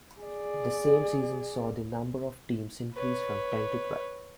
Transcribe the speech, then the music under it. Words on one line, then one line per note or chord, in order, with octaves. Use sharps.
The same season saw the number of teams increase from ten to twelve.
G#4 D5
B4 C#5